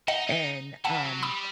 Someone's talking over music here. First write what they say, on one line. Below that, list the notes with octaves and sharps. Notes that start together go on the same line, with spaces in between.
and, um,
D#4 D#5 F#5
D#4
E3 F#5 A5
F#3
G3 B5 D#6